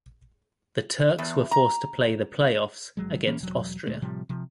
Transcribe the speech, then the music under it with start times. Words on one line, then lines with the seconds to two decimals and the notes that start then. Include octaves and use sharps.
The Turks were forced to play the play-offs against Austria.
1.18 E2
1.51 A#5
2.97 G1 F#3 G#3
3.27 E3 A#3 C#4
3.40 E1 F#3
3.86 D2 A#2 G#3 A3
4.02 A2 C3 F3 G3
4.29 C3 F3